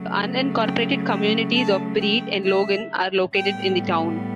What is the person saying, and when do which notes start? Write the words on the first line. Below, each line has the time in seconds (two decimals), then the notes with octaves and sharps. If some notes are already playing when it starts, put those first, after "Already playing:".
The unincorporated communities of Breed and Logan are located in the town.
Already playing: C#3 F#3 A3
0.65 G5
1.10 G5
1.55 A5
2.00 G5
2.45 E5
3.35 A2 G3 B3 G5